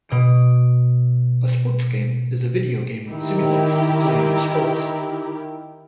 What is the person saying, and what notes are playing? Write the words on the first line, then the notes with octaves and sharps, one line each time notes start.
A sports game is a video game that simulates the playing of sports.
B2 D#6 D7
D#3 E4 G4 A#4